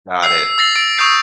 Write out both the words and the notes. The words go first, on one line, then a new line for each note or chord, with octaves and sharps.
Got it.
E6 C7
E6 A6 A#6 C7 F#7
E6 A6 D7
C#6 D#6 E6 G6 C7 D7